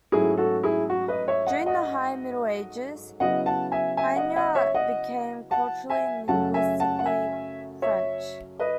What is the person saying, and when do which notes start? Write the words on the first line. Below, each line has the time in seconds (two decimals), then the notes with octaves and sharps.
During the High Middle Ages, Hainaut became culturally and linguistically French.
0.12 G#2 F#3 A3 C#4 E4 G#4
0.37 F#4 A4
0.63 E4 G#4
0.90 F#4
1.08 B4 D#5
1.28 C#5 E5
1.47 D#5 F#5
1.66 D#5 F#5
3.20 C#3 F#3 B3 E4 D#5 F#5
3.46 F#5 A5
3.72 E5 G#5
3.97 E5 G#5
4.16 D#5 F#5
4.36 D#5 F#5
4.55 C#5 E5
4.74 D#5 F#5
5.51 F#5 A5
5.90 E5 G#5
6.28 F#2 C#3 F#3 A3 C#4 F#5 A5
6.54 E5 G#5
6.80 F#5 A5
6.99 F#5
7.06 E5 G#5
7.82 C#5 E5
8.59 B4 D#5